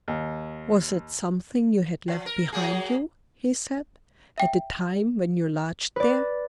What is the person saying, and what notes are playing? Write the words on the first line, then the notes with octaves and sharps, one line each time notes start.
"Was it something you had left behind you," he said, "at the time when you lodged there."
D#2
F3
A#4
F#3 A#3 G#4
E5 G5
B4 D5